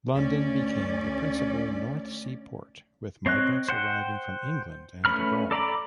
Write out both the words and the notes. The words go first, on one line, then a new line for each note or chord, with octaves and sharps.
London became the principal North Sea port, with migrants arriving from England and abroad.
D2 C#4 D5
C4 C#5 D#5 F#6
C5 F#5 G5
A3 C#4 B4 B5 F6
A4 D5 A#5 B5 D6